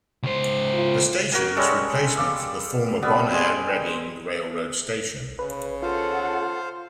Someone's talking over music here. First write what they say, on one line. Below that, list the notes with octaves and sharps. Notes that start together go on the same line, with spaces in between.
The station was a replacement for the former Bonair Reading Railroad Station.
C#2 C5
F4
F#4 A#4 G#5
G3 G#3 C#4 A4
D5 F5 D6 E6
G3 B3 C4
G3 G#3 C6
C#3 B4
F4 A4 C5 F5 F#5